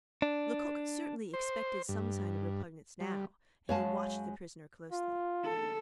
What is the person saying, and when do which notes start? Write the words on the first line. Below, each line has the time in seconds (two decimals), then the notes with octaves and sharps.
Lecoq certainly expected some sign of repugnance now, and he watched the prisoner closely.
0.22 D4
1.33 C5
1.89 G2
3.00 G3
3.69 F#2 G#3 C#5 F5 A5
4.92 F4
5.45 A4